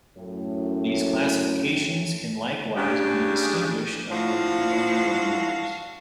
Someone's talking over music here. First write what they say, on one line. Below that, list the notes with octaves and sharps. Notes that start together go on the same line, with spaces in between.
These classifications can likewise be distinguished among colonial wars.
F#2 A2
C#3 G#3 D4 G4
F3 D4 E4 F#4 F5 A#6